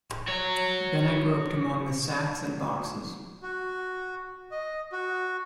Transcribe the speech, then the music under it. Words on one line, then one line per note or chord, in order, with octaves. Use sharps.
Then I groped among the sacks and boxes.
F#4 C#5
F#4
D#5
F#4